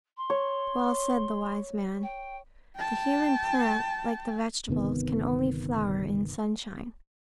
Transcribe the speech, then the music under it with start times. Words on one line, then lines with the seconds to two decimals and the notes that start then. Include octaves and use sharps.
Well said the wise man, "The human plant, like the vegetables, can only flower in sunshine."
0.17 C6
0.30 C#5
2.03 G5
2.76 G5 A5
4.68 G1 C3 D#3 B3